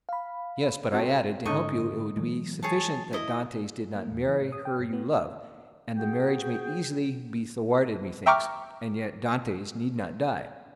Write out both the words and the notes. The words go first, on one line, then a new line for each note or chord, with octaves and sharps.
"Yes; but I added, to help you it would be sufficient that Dantes did not marry her you love; and the marriage may easily be thwarted, methinks, and yet Dantes need not die."
F5 B5
C4 F#4 A4
G#2 D3 C#4 D#4 A4 D#5 C#6
E3 F#3 G#3
G#4 C#5 A5
E4 D#5
A#3
E2
E3
A2
D#6
G5
G2
B3
F#4 G#4 G5
E5 G5 A#5 C#6 D6 F6